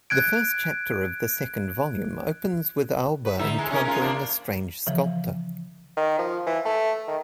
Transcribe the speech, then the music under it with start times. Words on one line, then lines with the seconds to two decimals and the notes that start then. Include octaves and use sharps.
The first chapter of the second volume opens with Aoba encountering a strange sculptor.
0.10 F#6 G#6 D7
3.25 B4
3.39 D3 D#4 E4
3.58 E3 G#3
3.71 C#4 D#4 A#4
3.85 G#3 C#4 F4
4.02 E3 A#3 D4
4.87 C#3 E3 F3
5.97 D#3
6.19 F3
6.46 E3
6.65 A3
7.08 D#3